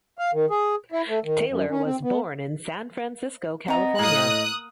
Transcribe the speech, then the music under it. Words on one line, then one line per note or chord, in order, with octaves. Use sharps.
Taylor was born in San Francisco, California.
F5
D#3
G#4
E4
A3
D#3
F#2
C#4
C4
B3
B3 C4 D#5 A#5
A2 A#3 D#6 F#6